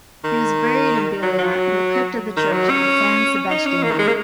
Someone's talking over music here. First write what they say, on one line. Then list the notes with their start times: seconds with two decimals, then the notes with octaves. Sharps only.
He was buried in Biella in the crypt of the church "San Sebastiano".
0.24 D#3
1.22 F#3
1.38 F#3
2.36 D#3
2.52 F#3
2.69 C#4
3.50 D#4
3.66 C#4
3.83 A#3
3.91 D#3
3.99 G#3
4.07 A#3